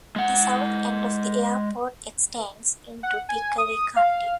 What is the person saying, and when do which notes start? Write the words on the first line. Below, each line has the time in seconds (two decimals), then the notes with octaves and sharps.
The south end of the airport extends into Pickaway County.
0.16 G#3 F#5
3.03 F#5
3.29 G#5
3.58 D#6
3.96 F5